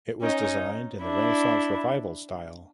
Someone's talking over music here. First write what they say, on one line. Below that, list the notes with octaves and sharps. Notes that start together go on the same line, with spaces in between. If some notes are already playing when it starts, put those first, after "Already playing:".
It was designed in the Renaissance Revival style.
C#4 D#4
D4 E4